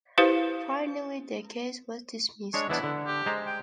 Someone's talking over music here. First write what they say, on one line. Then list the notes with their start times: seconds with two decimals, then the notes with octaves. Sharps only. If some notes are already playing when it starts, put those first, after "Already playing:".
Finally the case was dismissed.
0.18 E4 G4 B4 C5 F5
2.54 G#3 D4 C#5
2.70 E3 B3 D4 E4
2.83 D3
3.07 G4
3.26 G#3 C5 A#5
3.46 G5